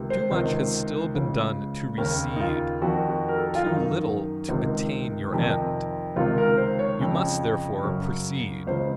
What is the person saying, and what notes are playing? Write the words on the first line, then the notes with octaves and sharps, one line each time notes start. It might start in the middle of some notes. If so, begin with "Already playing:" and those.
Too much has still been done to recede, too little to attain your end; you must therefore proceed.
Already playing: C#2 C3 D#3
C5
C#2 C3 D#3
C#2 C#3
D#2 C#3 A#4
D#4
F4
F2 D#3 F#4
F#4
A#4
A4
F4
F#2 D#3 D#4
C#2 C3 D#3
F2 C3 D#3
C#2 C3 D#3 F4
A#4
C5
C#5
F2 C#3
F#2 C#3
C#2 C#3 C5